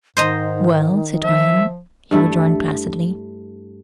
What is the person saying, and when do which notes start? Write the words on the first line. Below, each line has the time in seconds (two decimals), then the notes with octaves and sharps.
"Well, citoyenne?" he rejoined placidly.
0.17 G#2 D#3 C5 D#5 A#5
1.23 F3 E5
2.11 G2 A3 E4